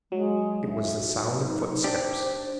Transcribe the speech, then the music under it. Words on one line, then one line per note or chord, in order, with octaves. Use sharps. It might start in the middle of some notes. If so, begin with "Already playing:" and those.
It was the sound of footsteps!
F#3 G#3
E5
D#4
D4 G4 C5